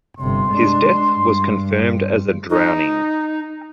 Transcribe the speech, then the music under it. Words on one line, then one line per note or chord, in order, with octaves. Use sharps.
His death was confirmed as a drowning.
G1 C3 C6
G#3 D4
G2
D#4